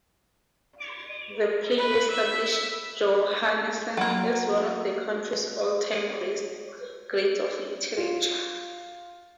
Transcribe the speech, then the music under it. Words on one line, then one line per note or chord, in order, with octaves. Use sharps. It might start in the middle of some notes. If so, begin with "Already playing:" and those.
The play established Johannesen as one of the country's all-time greats of literature.
B4
E5
F#3 A#3
F4